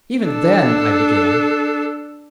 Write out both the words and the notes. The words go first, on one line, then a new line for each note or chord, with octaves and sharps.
"Even then--" I began.
D4 A4